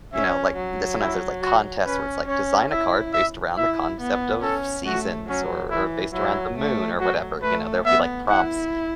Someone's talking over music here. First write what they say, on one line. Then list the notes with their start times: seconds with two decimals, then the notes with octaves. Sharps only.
you know like, this one has those, like, contests where it's, like, "Design a card based around the concept of seasons," or or "based around the moon," or whatever, you know, there'll be like prompts,
0.13 C#4 E5
0.56 F#3
1.00 E4
1.42 F#4
1.85 C#4 B4
2.27 C#4 C#5
2.71 E4 E5
3.13 E5
3.56 E4 E5
4.00 B3
4.42 C#4 A4
4.85 A3 F#4
5.28 F#3 C#4
5.70 E3 E4
6.13 F#3 E4
6.57 A3
6.99 F#3 F#4
7.42 A3 B4
7.85 B3 E5
8.28 E4 F#5